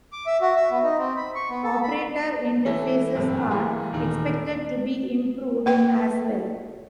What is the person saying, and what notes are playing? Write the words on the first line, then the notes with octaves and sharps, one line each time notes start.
Operator interfaces are expected to be improved as well.
D6
E5
F#4
E5
B3
D#4
C4
B5
C#6
B3
A4
B5
E3 A3 E4 A5
G1 F#2 A2 C3
E3 A#3 G4 G#4
D#1 D#3
A#3 B4 G5